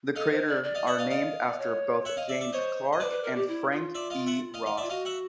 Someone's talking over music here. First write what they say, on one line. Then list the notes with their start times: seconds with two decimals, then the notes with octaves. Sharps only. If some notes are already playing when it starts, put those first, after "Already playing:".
The crater are named after both James Clark and Frank E. Ross.
0.15 A4 D#5 F5
0.31 C5
0.48 D5
0.63 D5
0.75 D#5 F5
0.87 E5 F#5
0.98 D#5 F5
1.10 D#5 F5
1.47 D5
1.58 C#5
2.05 E5 F#5
2.17 D#5 F5
2.29 D5 E5
2.41 D5 E5
2.52 C5 C#5 D#5
2.93 D#5
3.00 B4 C5 D5
3.12 B4
3.23 A#4
3.35 G4
3.48 E4
3.72 F4
3.95 D5 E5
4.10 D#5 F5
4.26 E5 F#5
4.54 D#5 F5
4.66 D#5 F5
4.77 D5 E5
4.82 F4
4.89 F#4 D#5 F5
5.05 E5 F#5